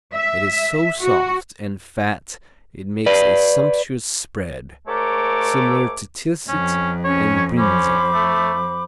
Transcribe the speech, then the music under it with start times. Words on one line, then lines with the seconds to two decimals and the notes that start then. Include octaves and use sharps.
It is so soft and fat it makes a sumptuous spread, similar to Tilsit and Brinza.
0.16 E5
1.03 F#4
3.06 B4 D5
4.88 G#2 A3 A#4 C#5 D6
6.49 F2 C#4
7.04 C#4 C#5
7.58 C#4 C5 B5 D6
8.13 A3